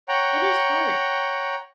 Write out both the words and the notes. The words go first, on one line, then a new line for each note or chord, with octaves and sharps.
It is hard.
C#5 F#5 G5 A#5